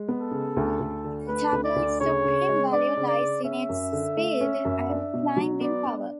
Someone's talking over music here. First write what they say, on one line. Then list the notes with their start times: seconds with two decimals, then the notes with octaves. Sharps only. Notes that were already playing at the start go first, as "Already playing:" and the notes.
The tabloid’s supreme value lies in its speed and climbing power.
Already playing: G#3
0.08 B3
0.20 A4
0.31 C#3
0.57 D2
0.80 D2
1.05 D3
1.28 A3 B4
1.52 D2
1.64 D5
1.76 D2
2.01 C#3 C#5
2.25 C#3
2.49 G#3
2.73 D4 D5
2.97 C#3
3.08 D5
3.21 C#3
3.44 C#4 E5
3.69 F#2
3.92 D3
4.17 A3
4.41 C#4
4.65 F#2
4.89 D4
5.13 B2
5.37 F#3
5.61 B3 D5
5.85 D4